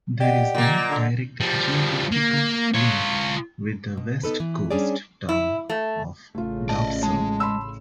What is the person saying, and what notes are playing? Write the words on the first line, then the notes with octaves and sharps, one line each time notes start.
There is no direct geographical link with the West Coast town of Dobson.
G4 D5 D#5 F#5
A#2 A#3
D3
F3 G3
A#3
F4 C#5
B2
B3 D#4 A4 B4
E3
G3 C#4 D4 G#4 C#5 D5
E4
A3
A1 C#3 A3 F4
D5 D#5 A5
G#3 A5
B5 C6 E6